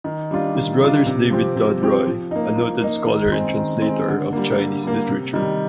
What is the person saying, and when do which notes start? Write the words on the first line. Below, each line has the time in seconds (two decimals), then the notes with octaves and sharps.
His brother is David Tod Roy, a noted scholar and translator of Chinese literature.
0.04 D#3
0.31 G3 D4 F4
0.55 D#3
0.80 G3 D4 F4
1.06 C3
1.31 F3 C4 G4
1.56 C3
1.81 F3 C4 G4
2.06 F3
2.31 A#3 D#4
2.56 F3
2.81 A#3 D#4
3.06 D#3
3.32 G#3 C4
3.57 D#3
3.82 C4
3.87 G#3
4.08 D3
4.33 G3 A#3
4.58 D3
4.83 G3 A#3
5.08 C3
5.33 D#3 G3